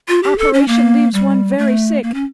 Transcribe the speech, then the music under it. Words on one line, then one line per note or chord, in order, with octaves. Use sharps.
Operation leaves one very sick.
F4
G4
A4
C#4
A#3
G3
A3
A#3
C#4